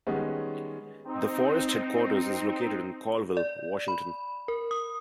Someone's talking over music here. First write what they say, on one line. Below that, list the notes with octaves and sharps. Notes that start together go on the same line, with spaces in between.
The forest headquarters is located in Colville, Washington.
D#3 G3 G#3 B3 C#4
C4 D#4
D5
B5
A#4
D#6